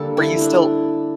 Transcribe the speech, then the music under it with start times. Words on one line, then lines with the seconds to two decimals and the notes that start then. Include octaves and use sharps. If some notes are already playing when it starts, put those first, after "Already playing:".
were you still
Already playing: D3 G3 A#3 A4
0.17 E4
0.41 D4